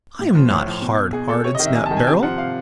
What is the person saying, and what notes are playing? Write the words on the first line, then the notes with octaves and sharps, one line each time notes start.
"I am not hard-hearted," snapped Beryl.
A2
F3
A2 C#5
F3
B2
B2 G#4
A4
C3 C#5
D#5
D#3
E5
C3 G#5
A5
D#3
G#5
C3 G5
F3 F#5
C3 F5